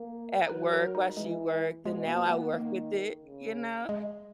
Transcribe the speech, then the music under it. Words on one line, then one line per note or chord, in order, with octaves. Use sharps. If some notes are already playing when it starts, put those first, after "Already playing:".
at work while she worked, and now I work with it. You know?
Already playing: A#3
A#4
F#3 B4
A#4
D#4
E3 G#3
B2 G#3
A#3
A#3
B3
D#3 A#3
C#3
G#3